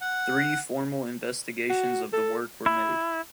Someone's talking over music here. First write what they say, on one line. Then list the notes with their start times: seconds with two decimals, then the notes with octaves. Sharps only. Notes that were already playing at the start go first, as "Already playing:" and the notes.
Three formal investigations of the work were made.
0.01 F#5
1.70 F#4
2.13 A4
2.66 E4